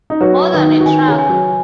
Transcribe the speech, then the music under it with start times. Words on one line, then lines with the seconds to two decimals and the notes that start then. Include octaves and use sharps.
More Than A Truck!
0.10 D#4
0.20 F#3 F#4 B4
0.53 D#3 D#4 B4
0.80 F#4
0.85 D#3 D#4 G#5
1.07 C#3 C#4
1.19 G#5
1.29 F#3 F#4